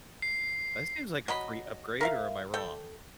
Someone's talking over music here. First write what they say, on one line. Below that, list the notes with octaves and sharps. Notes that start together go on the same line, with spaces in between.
That seems like a free upgrade, or am I wrong?
C7
F#3 D#5 B5
A#4 E5 F5
A4 G5